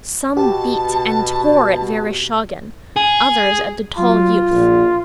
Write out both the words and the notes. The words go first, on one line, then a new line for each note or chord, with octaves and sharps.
Some beat and tore at Vereshchagin, others at the tall youth.
B2 G4 A5
G#4
F#3 F4
A#1